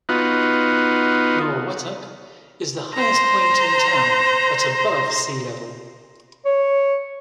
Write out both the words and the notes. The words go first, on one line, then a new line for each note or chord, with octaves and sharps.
Norwottuck is the highest point in town at above sea level.
B3 D#4 F4 F#4
C5 A#5
C#5